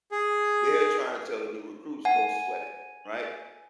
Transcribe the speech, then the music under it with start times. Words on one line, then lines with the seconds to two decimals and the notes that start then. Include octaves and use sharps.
They're trying to tell the new recruits, "Don't sweat it," right,
0.12 G#4
2.05 F#5 G#5